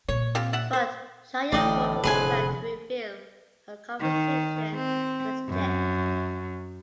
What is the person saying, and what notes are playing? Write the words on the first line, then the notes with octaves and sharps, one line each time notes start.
But Shaurya forces her to reveal her conversation with Tej.
A#2 C#5
C4 F4 G4
D5 E5 F#5
C5
A1 A2 D3 D5 D#5 G5
F1 D3 G#4 B4 C5 G#5
D#3
C4
F#2